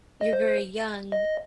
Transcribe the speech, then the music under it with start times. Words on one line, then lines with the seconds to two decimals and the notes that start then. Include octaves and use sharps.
you're very young,
0.21 D#5
0.33 C5
1.12 D#5